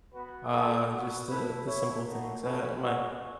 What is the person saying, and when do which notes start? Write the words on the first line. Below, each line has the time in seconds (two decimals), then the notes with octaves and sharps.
uh, just the the simple things. Uh, my
0.13 B3 F#4 B4
0.52 B3 E4 A4
0.90 B3 F#4
1.27 A3 E4 B4
1.66 A3 E4 C#5
2.04 A3 D#4 F#4
2.42 A3 C#4 F#4 B4
2.80 G#3 C#4 F#4